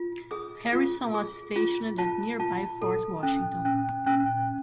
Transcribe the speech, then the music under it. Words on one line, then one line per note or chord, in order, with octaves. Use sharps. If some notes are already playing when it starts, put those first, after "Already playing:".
Harrison was stationed at nearby Fort Washington.
Already playing: F4
G#4 D#6
F4
G#4
F4
F4 A5
F4 A5
A4
C#4
C#4
C#4